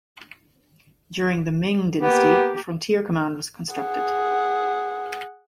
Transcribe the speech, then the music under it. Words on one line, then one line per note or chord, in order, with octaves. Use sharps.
During the Ming Dynasty, a frontier command was constructed.
A#3 B3 G4
G#4 F#5